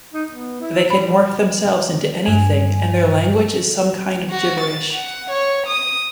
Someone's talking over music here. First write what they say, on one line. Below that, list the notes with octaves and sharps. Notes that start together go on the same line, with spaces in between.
They can morph themselves into anything, and their language is some kind of gibberish.
D#4
B3
E4
G3 B5
G2 G#5
F#4
A6
F#5
C#5
D#6